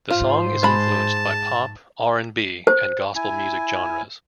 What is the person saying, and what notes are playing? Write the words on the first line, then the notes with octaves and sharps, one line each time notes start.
The song is influenced by pop, R and B and gospel music genres.
G#2 F4 C5
G#3 A5 B5
C5
E4 G#5